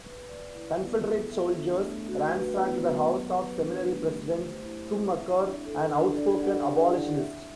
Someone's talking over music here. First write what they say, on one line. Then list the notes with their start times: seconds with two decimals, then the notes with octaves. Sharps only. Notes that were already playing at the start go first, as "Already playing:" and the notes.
Confederate soldiers ransacked the house of seminary President Schmucker, an outspoken abolitionist.
0.04 B4
0.28 D5
0.54 E4
0.80 B3
1.06 A4
1.31 E5
1.56 D4
1.82 A3
2.08 F#4
2.33 B4
2.58 B3
2.84 F#3
3.09 G4
3.36 B4
3.61 D4
3.86 A3
4.12 G4
4.37 C5
4.63 E4
4.88 C4
5.13 E5
5.39 D4
5.65 A4
5.91 D4
6.16 D5
6.42 F#5
6.67 G4
6.93 E4
7.18 E5